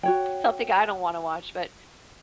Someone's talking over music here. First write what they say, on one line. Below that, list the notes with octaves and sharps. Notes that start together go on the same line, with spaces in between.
but something I don't wanna watch, but
F#4 C#5 G5